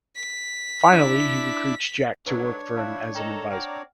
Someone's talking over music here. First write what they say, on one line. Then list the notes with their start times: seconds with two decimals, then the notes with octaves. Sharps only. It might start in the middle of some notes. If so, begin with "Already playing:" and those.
Finally, he recruits Jack to work for him as an adviser.
0.16 B6
0.92 D4 E4
2.26 G#2 D3 F#3 D4 B4 C#5
2.76 F3 E4 F5 A5 F#6
3.15 D#3 A4 D#5 G5 A#5
3.51 C4 D5 F#5 G5 A#5 F6